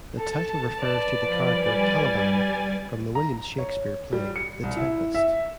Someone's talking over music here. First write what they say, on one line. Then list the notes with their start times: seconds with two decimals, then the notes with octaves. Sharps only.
The title refers to the character Caliban from the William Shakespeare play "The Tempest".
0.16 A4 A5
0.77 B4 D5
1.18 F3
1.50 G3 G#5 A6
3.15 A#5
3.58 C#5
4.13 G3
4.36 C#7
4.63 C2
4.76 E4
5.15 E5